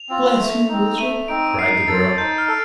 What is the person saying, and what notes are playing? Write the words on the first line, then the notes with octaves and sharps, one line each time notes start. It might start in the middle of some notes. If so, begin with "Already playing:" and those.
"Bless you, Lizard," cried the girl.
Already playing: F7
C4 F4
A3
C4 D#4
A3 D#7
C4 D#4 D7
D#4 C7
A4 C5 A6
D#4 G6
F6
A4